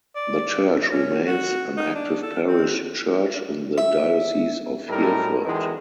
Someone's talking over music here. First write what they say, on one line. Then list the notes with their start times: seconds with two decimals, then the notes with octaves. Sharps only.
The church remains an active parish church in the Diocese of Hereford.
0.16 D5
0.91 C#4
1.27 F#4
1.77 D#4
1.95 D4
2.22 A4
2.48 C4
3.78 E5
4.88 A2 G3 D#4 E4 A4 A#4
5.45 E2 D#3 G#3